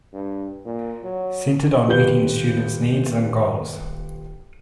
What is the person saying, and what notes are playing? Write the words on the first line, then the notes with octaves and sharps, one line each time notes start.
Centered on meeting students needs and goals.
G2
A#2
F#3
D#1 F4 G4 B4 G6 G7